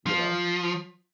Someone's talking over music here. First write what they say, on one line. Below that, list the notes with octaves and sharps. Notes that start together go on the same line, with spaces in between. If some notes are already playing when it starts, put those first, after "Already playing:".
You know?
F3